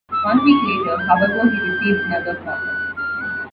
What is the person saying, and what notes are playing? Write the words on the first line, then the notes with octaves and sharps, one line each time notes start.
One week later, however, he received another call.
E6
D#6
D6
C#6
D6
D#6
G6
G#6
G6
F#6
F6
F#6